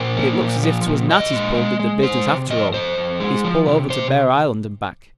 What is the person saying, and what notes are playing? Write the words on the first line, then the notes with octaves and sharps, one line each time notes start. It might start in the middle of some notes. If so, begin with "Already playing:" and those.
"But it looks as if 'twas Natty's pull did the business after all--his pull over to Bear Island and back."
Already playing: A#2 C5
A#3
A#2
F3
A#2
A#2 D#5
G#3
G#3
G#3
G#3 C5
C3
F2 D#5
F2 C5
F2
G#3
F3
C3
C3 C5